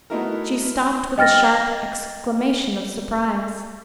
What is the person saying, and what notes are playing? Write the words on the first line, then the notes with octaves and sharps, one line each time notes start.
She stopped with a sharp exclamation of surprise.
A3 B3 D#4 E4 F#4 A#4
D#5 G5 F6 A6 A#6